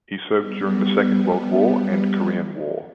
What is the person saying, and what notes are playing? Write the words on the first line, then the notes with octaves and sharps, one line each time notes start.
He served during the Second World War and Korean War.
G3 B3